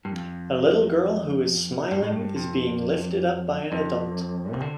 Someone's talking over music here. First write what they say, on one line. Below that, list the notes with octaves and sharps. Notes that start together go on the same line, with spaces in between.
A little girl who is smiling is being lifted up by an adult.
G2
F2
G2
A2
G2
F2
F2
C3
D3